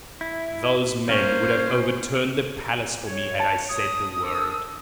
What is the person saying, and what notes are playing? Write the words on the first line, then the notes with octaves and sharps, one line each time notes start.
Those men would have overturned the palace for me had I said the word.
E4
A#3 C#4 C5 C#5
C#5
A5
D#6
D4 A#4 E6